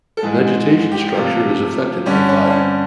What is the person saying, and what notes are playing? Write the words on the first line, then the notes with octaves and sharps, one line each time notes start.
Vegetation structure is affected by fire.
A4
G#2 E3 G#3 G#4
G4
C3 F3 A3 F4
G2 D3 G3 C#4
C#4
C4
C#4